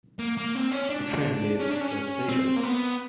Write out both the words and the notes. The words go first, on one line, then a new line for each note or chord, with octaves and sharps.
The train leaves the station.
A#3
A#3
C4
C#4
D4
C#4
D4
C#4
C4
A#3
B3